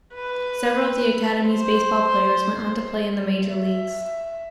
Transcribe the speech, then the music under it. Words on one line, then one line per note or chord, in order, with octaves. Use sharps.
Several of the academy's baseball players went on to play in the major leagues.
B4
C5
E5